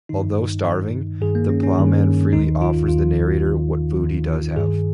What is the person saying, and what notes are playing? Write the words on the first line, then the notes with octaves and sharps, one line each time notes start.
Although starving, the Plowman freely offers the narrator what food he does have.
G2 D#3 D#4
G2 D#3
G2 D#3 G#4
A#3
C#4
C#4
G2 D#3
D#2 D#3 D#4
F4
D#2 D#3 F4
D#2 D#3
D#2 D#3
G2 D#3 G#4